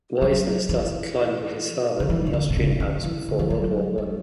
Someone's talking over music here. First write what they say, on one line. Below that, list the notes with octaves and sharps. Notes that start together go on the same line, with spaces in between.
Wiessner started climbing with his father in the Austrian Alps before World War One.
F#3
E3
D3
E3
C#3
D3
B2
C#3
D3
E3
D3
E3
F#3
F#3